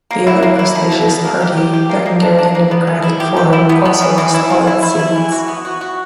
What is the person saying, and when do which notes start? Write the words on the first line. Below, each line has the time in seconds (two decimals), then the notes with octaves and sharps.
The other prestigious party, the Hungarian Democratic Forum also lost all its seats.
0.11 A#3
0.27 E4
0.43 A#3
0.59 E4
0.75 B2
0.92 B2
1.08 B2
1.25 A#3
1.40 G4
1.57 G4
1.73 G4
1.89 A#3
2.06 A#3
2.22 D4
2.38 D4
2.55 A#3
2.71 B3
2.87 B3
3.03 E4
3.20 G4
3.37 G4
3.53 E4
3.69 B3
3.85 B3
4.02 E3
4.18 E3
4.34 E4
4.50 E3
4.67 E4
4.83 E4
4.99 E4
5.16 E3
5.32 F#4
5.48 B3
5.65 F#4
5.81 F#4